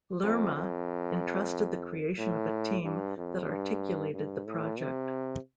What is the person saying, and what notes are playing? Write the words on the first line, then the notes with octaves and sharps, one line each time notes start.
Lerma entrusted the creation of a team that articulated the project.
F2
F2
A2
G2
F2
G2
G2
A2
C3